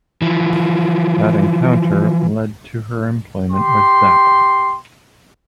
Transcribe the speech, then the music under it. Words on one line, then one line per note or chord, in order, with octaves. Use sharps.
That encounter led to her employment with Zappa.
E3 F3
G4 C6